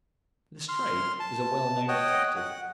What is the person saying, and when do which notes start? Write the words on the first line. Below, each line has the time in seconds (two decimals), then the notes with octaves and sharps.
Lestrade is a well-known detective.
0.69 C6 F6
1.20 A5
1.88 C#5 D#5 F#5 G5
2.36 F#5